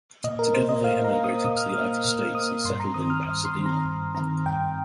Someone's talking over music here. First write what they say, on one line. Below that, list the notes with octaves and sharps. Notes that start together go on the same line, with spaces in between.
Together they emigrated to the United States and settled in Pasadena.
A#2 D#5
A#4
A#3 C5
D#5
A#2 F5
A#5
A#3
D#6
A#2 D#6
F6
A#3 D#6
A#2 F6
A#3 D#6
G2 C6
A#5
D#3 C4 D#6
F6
G2 D#6
C6
D#3 C4
A#5
G2
D#3 C4 A#5
G2 G5